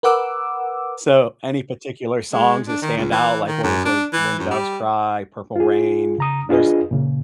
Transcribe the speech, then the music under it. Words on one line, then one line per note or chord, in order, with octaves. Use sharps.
So, any particular songs that stand out, like, what was there? "When Doves Cry," "Purple Rain," nurse
A#4 B4 F#5 D6 E6
G#3
D4
D#3
C#2
E3
D#3
F#2
D4
E3
F#2
G3
F4 G#4
C#3 A#5 D#6
D4 F4 G#4 B4 D#5
A#2 C#3